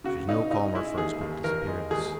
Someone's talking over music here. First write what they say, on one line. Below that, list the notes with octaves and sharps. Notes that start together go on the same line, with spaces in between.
She was no calmer for his quick disappearance.
C#3 F#4
C#3 D#4
C#3 D#4
G#3 E4
D#2 G#4
D#2
D#2 A#4
G#3
D#2 G#4